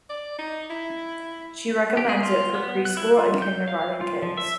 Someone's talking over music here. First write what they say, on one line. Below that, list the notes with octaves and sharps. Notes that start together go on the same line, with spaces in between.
She recommends it for preschool and kindergarten kids.
D5
D#4
E4
G4
G#4
F4
B3
F#6
E4
F4
G6
F5
F4
F3
E5